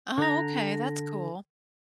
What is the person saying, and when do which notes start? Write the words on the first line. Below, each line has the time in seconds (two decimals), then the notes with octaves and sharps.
Oh, okay, that's cool.
0.18 D3 A#5